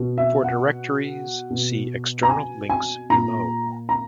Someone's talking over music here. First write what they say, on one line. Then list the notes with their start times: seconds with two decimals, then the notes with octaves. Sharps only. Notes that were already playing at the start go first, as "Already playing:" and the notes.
For directories, see external links below.
Already playing: B2
0.18 E5
0.44 F#5
1.50 B2
2.23 A#5
2.30 G#5
2.69 G#5
3.10 A#2 A#5
3.89 A#5